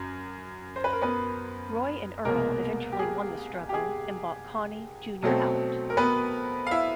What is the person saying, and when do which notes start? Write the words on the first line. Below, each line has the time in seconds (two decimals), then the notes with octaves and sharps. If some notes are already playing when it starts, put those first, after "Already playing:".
Roy and Earle eventually won the struggle and bought Connie, Junior out.
Already playing: F#2
0.76 C5
0.84 B4
0.93 A#4
1.02 B3 B4
2.25 C2 B2 G#3 A#3 B3 A#4
2.92 G4
2.99 G#4
3.69 G4
3.74 G#4
5.23 B2 F#3 A3 C4
5.90 A#4
5.97 B3 B4
6.67 F5
6.71 E4 E5